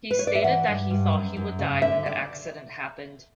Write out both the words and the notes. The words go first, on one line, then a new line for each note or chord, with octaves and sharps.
He stated that he thought he would die when the accident happened.
B4
C#5
D5
E5
E3 F#5
G2
G2
F#2
F#2
C#3
D3 E5
D5